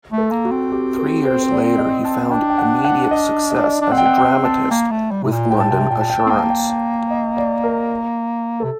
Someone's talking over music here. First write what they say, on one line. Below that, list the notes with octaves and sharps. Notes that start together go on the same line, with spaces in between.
Three years later he found immediate success as a dramatist with "London Assurance".
A3
A4
A#3
F#4
C4
G4
A4
C5
C5
D5
D#5
A5
D4 G5
G5
F#5
F#5
D#5
D#5
D5
D#5
D4
C4 F#5
G5
F#5
G5
A5
A#3
A3
G3
C3
A#2
A2 G5
A5
C3 G5
A5
A#2 G5
A5
G5
A5
C4
A#3 G5
A5
G5
A5
G5
D#5
D5
A#4
C3 A4